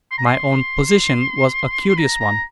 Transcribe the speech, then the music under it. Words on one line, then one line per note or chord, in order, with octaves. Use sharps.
My own position was a curious one.
C6
A#5
C6
C6
A#5
A#5